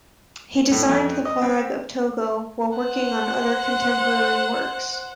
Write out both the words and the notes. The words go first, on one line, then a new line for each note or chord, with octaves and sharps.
He designed the flag of Togo while working on other contemporary works.
A2
F2
D#5
C4
C5 F#5